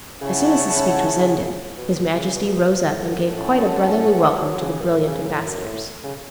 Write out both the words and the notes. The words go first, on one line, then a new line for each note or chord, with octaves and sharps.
As soon as the speech was ended, his Majesty rose up and gave quite a brotherly welcome to the brilliant ambassadors.
C#3 C#4 E4 C#5 F#5 A5
B2
B2
C#3
B2
B2
A2
A2
F#2
A2 C#4 A4 F#5
F#2
A2
E3
F#3
C#3
F#2
A2
C#3
A2
F#2
F#2
A2
C#3